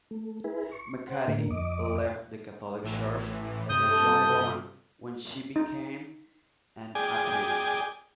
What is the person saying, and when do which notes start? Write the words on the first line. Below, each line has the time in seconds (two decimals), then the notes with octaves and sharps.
McCarthy left the Catholic Church as a young woman when she became an atheist.
0.11 A3
0.44 E4 G#4 B4
0.71 C#6
1.08 C5 F#5
1.27 A2 D3 A#3
1.50 F2 D#5 D6
2.83 A1 A2 E3
3.69 G2 C3 D#6 G6
3.88 A4
5.56 D#4
6.95 G#4 D5 G5 G#5